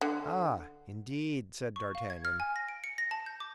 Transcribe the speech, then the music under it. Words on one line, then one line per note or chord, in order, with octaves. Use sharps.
"Ah, indeed," said d'Artagnan.
D3
C#6
F5
G#6
F6
G#5
A#6
D7
C#7
A#6
A5
G6
D6